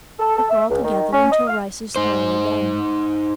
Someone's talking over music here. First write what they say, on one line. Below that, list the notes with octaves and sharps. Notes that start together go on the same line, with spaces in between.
Cook all together until rice is thoroughly done.
A4
A4
E5
C#2
D#3
C#4
D#5
F5
D#4 C5